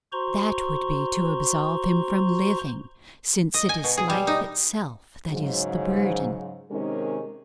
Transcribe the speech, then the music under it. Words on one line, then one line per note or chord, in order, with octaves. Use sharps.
That would be to absolve him from living, since it is life itself that is the burden.
F#4 C5 A#5 C6 C#6
D#5
G#5
B2
G#4
G3
D#4
G#2 C#3 F#3
C3 D#3 G#3 C#4 D#4 A#4